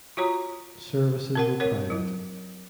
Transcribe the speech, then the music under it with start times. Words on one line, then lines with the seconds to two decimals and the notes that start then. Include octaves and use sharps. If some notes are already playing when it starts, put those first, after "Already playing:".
Services were private.
0.17 F4 F#4 C#5 A#5
1.35 C4 A#4 F#5
1.60 A#4 C#5 F#5
1.90 F#3 E4